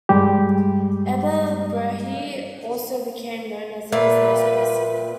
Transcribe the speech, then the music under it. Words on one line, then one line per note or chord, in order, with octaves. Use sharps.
Ebba Brahe also became known as a business person.
G2 G3 G#3 G4
A#2 A#3 B4 E5 G5